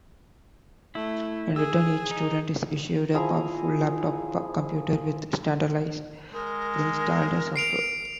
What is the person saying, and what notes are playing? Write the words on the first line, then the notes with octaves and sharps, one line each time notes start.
In return each student is issued a powerful laptop computer with standardized, preinstalled software.
A3 E4
G#4 E6
D#4
F3 E4 G#4 A#5
G#3 A#4
C7 D7 F7